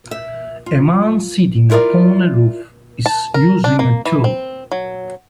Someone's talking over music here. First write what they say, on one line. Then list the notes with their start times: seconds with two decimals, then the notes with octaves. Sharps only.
A man sitting upon a roof is using a tool.
0.11 E5
0.66 F4
1.70 E4 F4 A#4 B4 D5
3.06 A5
3.34 A#4
3.64 D4
3.79 A#3
4.05 E3
4.24 C4
4.71 F#3